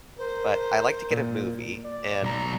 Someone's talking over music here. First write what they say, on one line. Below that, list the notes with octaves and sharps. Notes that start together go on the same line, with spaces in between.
but I like to get a movie and,
A#4 C5
A#2
D5
B1 A#5